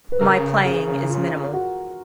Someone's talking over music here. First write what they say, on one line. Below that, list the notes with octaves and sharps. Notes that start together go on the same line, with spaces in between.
My playing is minimal.
B4
C#3 A#4
G#4
F4
F#4